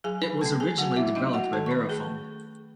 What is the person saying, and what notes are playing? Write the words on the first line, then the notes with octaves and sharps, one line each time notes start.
It was originally developed by Verifone.
F#3 G#4 G#5
B4 B5
A3 C#4 A4 A5
G#4 G#5
F#3 F#4 F#5
E4 E5
A3 C#4 D#4 D#5
F#4 F#5
D#3 A4 A5
C#6
B4 B5
A3 G#4